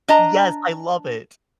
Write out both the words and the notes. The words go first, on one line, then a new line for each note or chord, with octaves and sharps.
Yes, I love it.
D4 D#5 A5 A#5